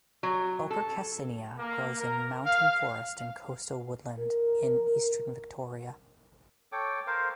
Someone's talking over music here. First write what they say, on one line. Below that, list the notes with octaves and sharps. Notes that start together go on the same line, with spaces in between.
Ochre cassinia grows in mountain forest and coastal woodland in eastern Victoria.
F#3
A4
A#3
A#4
F5
A#4
A4 C#5 G5 D6
A#4 C5 F5